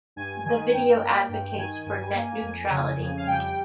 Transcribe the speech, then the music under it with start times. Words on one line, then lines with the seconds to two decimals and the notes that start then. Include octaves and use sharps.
The video advocates for net neutrality.
0.16 G2 G#5
0.45 D#3 G#5
0.73 G2 G5
1.01 A#3
1.29 G2
1.57 D#3 G#5
1.86 G2
2.14 A#3
2.41 F2
2.70 C#3
2.99 F2
3.17 F5
3.27 G3 G5